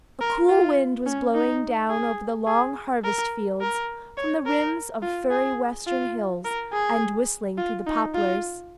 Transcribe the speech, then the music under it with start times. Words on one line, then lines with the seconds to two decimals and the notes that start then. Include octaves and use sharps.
A cool wind was blowing down over the long harvest fields from the rims of firry western hills and whistling through the poplars.
0.21 A#4
0.49 F4
1.06 C#4
1.34 D#4
1.90 G#4
2.47 G#4
3.04 A#4
3.61 A#4
4.17 C#5
4.46 A#4
5.02 F4
5.31 G#4
5.87 F4
6.45 A#4
6.73 G#4
7.58 F4
7.86 D#4
8.15 F4